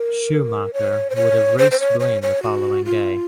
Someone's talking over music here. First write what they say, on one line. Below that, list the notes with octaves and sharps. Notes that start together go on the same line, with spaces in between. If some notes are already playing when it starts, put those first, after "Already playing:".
Schumacher would have raced Blaine the following day.
Already playing: A#4
C#5
C5
C#5
C5
C5
C#5
C#5
C#5
F#4
F4